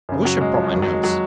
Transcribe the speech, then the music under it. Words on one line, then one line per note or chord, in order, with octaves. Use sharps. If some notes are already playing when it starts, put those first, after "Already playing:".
I wish I'd brought my notes.
F#2 C#3
F#3
G#3
F3
G#3
F2 D#3 F#3
F#3
G#3
F#3